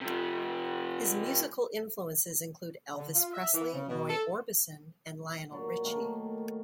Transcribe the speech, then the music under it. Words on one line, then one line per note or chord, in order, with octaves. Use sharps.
His musical influences include Elvis Presley, Roy Orbison and Lionel Richie.
C3 F3
D3
F4
E5
E3
C#3
B2
A4
A#2 F#3 D5
D#3 A3 A#3